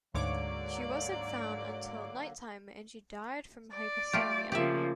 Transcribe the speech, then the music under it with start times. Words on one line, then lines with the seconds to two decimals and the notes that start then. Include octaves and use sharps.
She wasn't found until nighttime and she died from hypothermia.
0.14 D2 G#2 D3 F#3 A#3 C#5 D5 D6
3.74 D5
4.13 A3 F4 G4
4.52 C#3 F3 A#3 G4 D5 E5